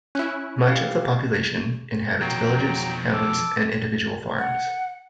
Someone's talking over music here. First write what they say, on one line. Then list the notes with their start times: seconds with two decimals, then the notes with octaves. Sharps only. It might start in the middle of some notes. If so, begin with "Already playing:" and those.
Much of the population inhabits villages, hamlets and individual farms.
0.15 C#4 E4 F#6
0.69 G4 F5
2.20 F2 B2 F#3 G5 A#5
3.12 A4 D6
4.39 F#5